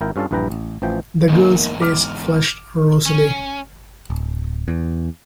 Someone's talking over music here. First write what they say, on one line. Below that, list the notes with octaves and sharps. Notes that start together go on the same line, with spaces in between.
The girl's face flushed rosily.
G#1 E4 A#4 G5
G2 C#4 F4 A4 F5 A5
A#1 G2 E3 B4 G5 A#5
A1
A1 E3 F3 G5
E2 G#2 A#3 D#4
D6 F6
C#4
D1
E2